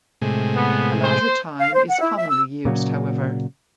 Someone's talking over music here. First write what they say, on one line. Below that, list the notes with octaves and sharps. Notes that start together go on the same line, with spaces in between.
The latter time is commonly used however.
A2 C3 G#3
B3
C5
F5
C5
F#5
E4
E5
E6
A#2 C#3 F#3